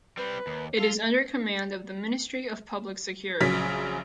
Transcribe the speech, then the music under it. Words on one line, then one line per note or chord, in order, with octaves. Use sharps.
It is under command of the Ministry of Public Security.
G3 C4 B4
D#2
F4 A4
A#1 C#3 F#3 B6